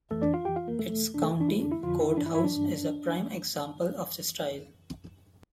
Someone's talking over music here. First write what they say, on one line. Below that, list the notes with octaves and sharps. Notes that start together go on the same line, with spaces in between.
Its County Courthouse is a prime example of the style.
F2 E3 A3 A4
D4 D5
F4 F5
F2 E3 G4 G5
F4 F5
A#3 A#4
F2 C3 E3 A3 A4
F2 C3 E3 D4
A3 A4
E4
D4
F2 D3 E4
D4
E4
F2 D3 F3 F4
E4
G2 E3 D4 E4
E4
D4
G2 E3